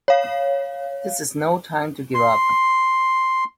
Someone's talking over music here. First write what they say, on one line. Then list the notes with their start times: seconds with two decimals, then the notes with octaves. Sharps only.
This is no time to give up!
0.08 C#5 F5
2.15 C6